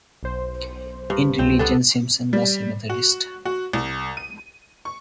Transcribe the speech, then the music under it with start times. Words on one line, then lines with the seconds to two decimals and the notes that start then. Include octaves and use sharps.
In religion, Simpson was a Methodist.
0.23 B1 C5
1.10 G2
1.39 C#2 C4
1.59 B3 D4 A4
2.33 G3
2.90 F#4
3.46 F#4
3.73 C2
4.17 D#7
4.85 C#6